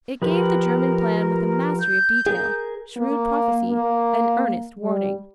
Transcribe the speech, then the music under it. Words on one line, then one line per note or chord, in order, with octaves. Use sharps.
It gave the German plan with a mastery of detail, shrewd prophecy, and earnest warning.
F3 G4 A#4 B4
G6
G#4 A#4
A#3
A#3
G3